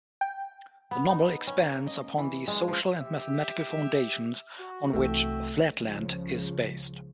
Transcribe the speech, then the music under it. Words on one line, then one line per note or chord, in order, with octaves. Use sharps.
The novel expands upon the social and mathematical foundations on which "Flatland" is based.
G5
B3
D#4
C#4
A#3
D#5
E3
G#3
F3
G4 E5
F#4
C2 E3 A3 F#4 E5 G5
C#2 C#3 F3